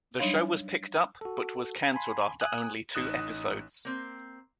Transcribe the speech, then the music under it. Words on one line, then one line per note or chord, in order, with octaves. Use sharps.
The show was picked up, but was canceled after only two episodes.
F#3 G3 D4 D#4 C#5 F5
F#4 A4
F5 G#5 A5 B5 C6
G#5 D#6 F#6
A1 D#4 D#6 F#6 E7
A#3 C4